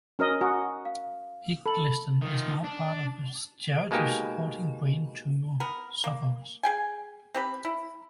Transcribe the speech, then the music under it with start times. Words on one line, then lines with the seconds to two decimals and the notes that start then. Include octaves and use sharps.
Igglesden is now part of a charity supporting brain tumour sufferers.
0.19 C#4 F#4 A#4 C#5 D#5 F6
0.41 F#4 G#5 A#5 D#6
0.85 F5
1.66 A4 B5 F#7
2.21 D#3 F4
2.64 D4
3.91 B2 G#3 A#3 D#4 G4
5.60 B3 A#4
6.04 A#3
6.63 G#4 G5 G#5
7.34 C4 G4 B4
7.65 E4